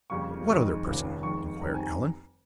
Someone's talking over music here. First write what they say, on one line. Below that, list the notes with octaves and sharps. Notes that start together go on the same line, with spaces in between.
"What other person?" inquired Allan.
F2 C#3 G3 A#3 C#6
F2 D#3 G#3 C#6
F1 D#2 C#3 F3
F2 D#3 G#3 C#6
F2 D#3 G3 C4 A#5
G#5
A#5